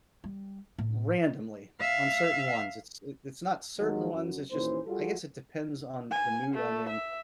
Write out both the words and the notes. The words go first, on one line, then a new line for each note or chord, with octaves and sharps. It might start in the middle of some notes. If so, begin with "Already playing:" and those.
randomly, on certain ones, it's i it's not certain ones, it's just I guess it depends on the mood I'm in
G3
A2
E5 F5
D#2 D#3 F#3 G#3
F#2
D#2 A#2 E3 C#4 C5
G3 F4 F#4 G#4 A4
G#5
A3
E5